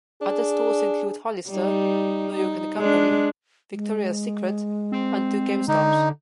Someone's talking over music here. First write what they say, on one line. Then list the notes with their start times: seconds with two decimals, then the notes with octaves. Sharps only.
Other stores include Hollister, New York and Company, Victoria's Secret, and two GameStop's.
0.22 D4 G#4
1.50 G3 D#4
2.35 D#4
2.78 G#3 D4
3.72 G#3
4.92 C4
5.68 D3 D#4